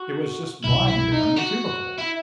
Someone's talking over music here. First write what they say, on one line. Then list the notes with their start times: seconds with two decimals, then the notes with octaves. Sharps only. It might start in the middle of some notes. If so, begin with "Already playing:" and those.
It was just lying there in a cubicle.
Already playing: F#4
0.63 C2 B2 G3 E4
0.88 E4
1.12 D#4
1.36 F#4
1.98 E4